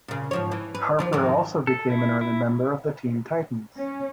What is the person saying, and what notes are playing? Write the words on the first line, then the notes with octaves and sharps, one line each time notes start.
Harper also became an early member of the Teen Titans.
A#2 C#3
G#2 F3 C#5
E3
B4
D#2 F3 D4
F2 G#2 D#3
A4
E4
E4
C#4